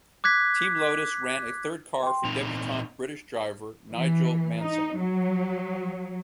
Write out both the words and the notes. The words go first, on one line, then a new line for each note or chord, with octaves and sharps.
Team Lotus ran a third car for debutant British driver Nigel Mansell.
D6 F#6 G#6 B6
G5 C6
A#2 C4 D#4 F7
E3
D#4
F#3